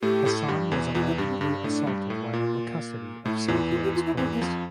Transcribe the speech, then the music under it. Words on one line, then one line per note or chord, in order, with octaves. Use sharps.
Hassan was allegedly assaulted while in the custody of South Wales Police.
A2 A3 G4
A2 A3
G2 G3
E2 E3
E2 E3 F4
E4
G2 G3 D4
C4
G2 G3 D4
A2 A3 D4
G2 G3
A2 A3
A#2 A#3 F4
A2 A3 E4
E2 E3 F4
F4
G4
F4
E4
E2 E3 C4
A#3
F2 F3